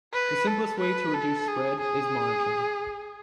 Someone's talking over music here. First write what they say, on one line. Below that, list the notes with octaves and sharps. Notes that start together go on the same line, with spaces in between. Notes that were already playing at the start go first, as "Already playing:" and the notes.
The simplest way to reduce spread is monitoring.
B4
A4
B4
A4
G#4
G#4